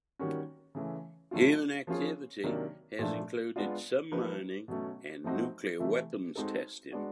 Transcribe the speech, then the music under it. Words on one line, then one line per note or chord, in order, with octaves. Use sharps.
Human activity has included some mining and nuclear weapons testing.
D#3 G3 A#3 C#4 F#4
C#3 E3 A3
D3 F#3 A3 C#4 F4
F3 A#3 C#4 F4 G#4
C3 D#3 F#3 A#3 D4
A#2 F3 A3 D4
G#3 B3 D4 F4
F3 A#3 D#4 G4 B4
B2 F#3 A3 C#4
F3 A3 C4 D#4 F#4
C3 E3 A3
G#3 C4 D#4 F#4 A4
G#3 B3 D4 F#4